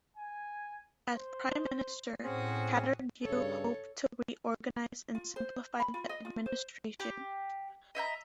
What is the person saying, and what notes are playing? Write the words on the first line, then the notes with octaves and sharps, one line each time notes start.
As prime minister, Catargiu hoped to reorganize and simplify the administration.
G#5
C5
A2 C4 C#4 F#4 G#4 C5 D#6
G2 C#3 A4 C#5
F4
C5
B5
F4
D#5
F4
C5
G4
D#5 E5 G5 A#5